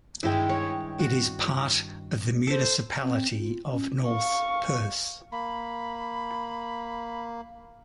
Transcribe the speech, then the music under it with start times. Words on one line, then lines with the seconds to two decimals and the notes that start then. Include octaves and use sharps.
It is part of the Municipality of North Perth.
0.23 G2 D#3 G#3 E4 G5
0.49 C#5
0.99 F#4
2.47 A4 C5
3.01 C4
3.38 F4
3.72 C#4
4.08 F5 C#6
5.32 A#3 B5